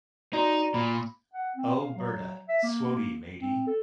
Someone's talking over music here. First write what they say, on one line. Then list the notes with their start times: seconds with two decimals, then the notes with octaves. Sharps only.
O Birtha, swotie mayde!
0.33 D#4 F#4 D5 A#5
0.74 A#2 B5
1.34 F#5
1.56 C4
1.80 F5
1.96 F#3
2.48 E5
2.63 A#3
3.41 C4
3.67 A4